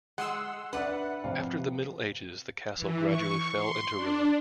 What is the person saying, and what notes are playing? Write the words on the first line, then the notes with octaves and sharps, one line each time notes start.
After the Middle Ages, the castle gradually fell into ruin.
G#3 F#5 C6 E6
D4 B4 D5 E5 F#5
C3 F3 F5
E3
C#6
C6
D4